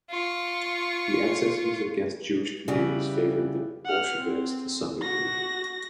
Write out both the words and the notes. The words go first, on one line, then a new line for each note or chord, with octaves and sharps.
The excesses against Jewish communities favored the Bolsheviks to some degree.
F4 C#6
C#3 E3 G3 F#5
F#5 F6
C4
F#4 A#6